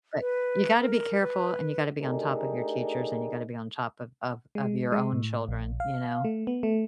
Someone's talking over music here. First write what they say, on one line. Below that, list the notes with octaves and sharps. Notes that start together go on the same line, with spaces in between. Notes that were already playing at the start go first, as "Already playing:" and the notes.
but you gotta be careful, and you gotta be on top of your teachers, and you gotta be on top of of of your own children, you know?
B4
A#4
B4
A3 D4 D#4 G4 G#4 A#4
G#3
G#3
A2
A#1
F5
A3
B3
A3